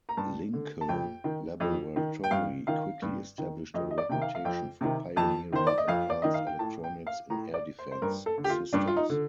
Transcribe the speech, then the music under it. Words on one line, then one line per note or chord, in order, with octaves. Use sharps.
Lincoln Laboratory quickly established a reputation for pioneering advanced electronics in air defense systems.
A#5
G2 A5
D3
A5
F2 G5
D#3
F2
D#3
G5
G2 F5
D#3 F5
G2
D#3
F2 D#5
D#5
D5
C3 D#3 G5
F5
F5
F2 G5
C3 D#3
F2 A5
D#3 C5
D5
D#5
F2 F5
D5
D#3 D#5
F5
G5
A2 A5
G5
F5
A2 A#5
D5
C5
C5
G2 A#4
A4
D3
G4
F4
G2 D4
F4
D#4
D3